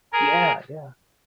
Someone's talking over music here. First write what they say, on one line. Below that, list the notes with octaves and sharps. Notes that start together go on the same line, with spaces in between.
Yeah, yeah.
G#4 A#4